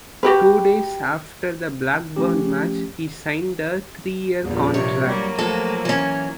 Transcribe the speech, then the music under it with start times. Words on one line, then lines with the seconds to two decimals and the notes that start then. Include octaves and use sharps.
Two days after the Blackburn match, he signed a three-year contract.
0.23 F#4 G4 B4
2.16 F3 A3 C#4 G4
4.44 E2 G2 A#2 F3
4.74 C3 C#5
5.07 F#3 G3 A#3
5.39 A2 F3 A4
5.85 E3 C#4